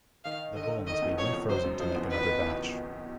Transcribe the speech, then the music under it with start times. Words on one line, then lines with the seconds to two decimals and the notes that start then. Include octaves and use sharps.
The bowl must be refrozen to make another batch.
0.25 D#3 F5
0.56 D3 D#5
0.87 D#3 D#5
1.02 E2 E3
1.17 F2 F3 C#5
1.33 F2 F3
1.49 F#2 F#3 C5
1.64 F#2 F#3
1.80 F2 F3 C5
1.95 E2 E3
2.10 D#3 B4
2.41 E2 E3